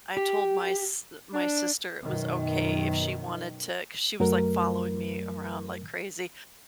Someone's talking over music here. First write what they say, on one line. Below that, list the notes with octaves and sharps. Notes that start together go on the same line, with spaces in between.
I told my s uh, my sister it was okay if she wanted to 'cause she was like following me around like crazy,
G4
D4
F#2 B2 D#3
F#2 F#3 A3 A#4